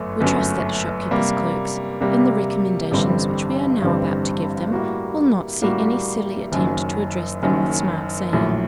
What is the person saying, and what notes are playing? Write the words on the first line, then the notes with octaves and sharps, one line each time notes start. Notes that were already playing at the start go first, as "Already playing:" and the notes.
We trust that the shopkeepers' clerks, in the recommendations which we are now about to give them, will not see any silly attempt to address them with smart sayings.
Already playing: G1 F#2 F#3 A3
G1 F#2 F#3 A3
C3 G3 A#3
C3 G3 A#3
A1 G2 D3 G3 C4
A1 G2 D3 G3 C4
A2 G3 A#3 F#4
A2 G3 A#3 F#4
F#1 F#2 D#3 F#3
F#1 F#2 D#3 F#3
A#1 A2 F#3